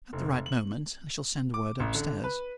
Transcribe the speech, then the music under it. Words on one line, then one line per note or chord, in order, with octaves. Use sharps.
At the right moment, I shall send word upstairs.
F1
F#7
D6
A1
D3
B4